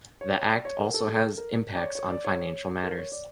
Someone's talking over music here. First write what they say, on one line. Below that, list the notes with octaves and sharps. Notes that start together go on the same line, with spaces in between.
The act also has impacts on financial matters.
C#5
D5
C#5
A#4
A4
A4
A#4
D5
C#5
C#5
D5
C#5
A#4
C#5
D5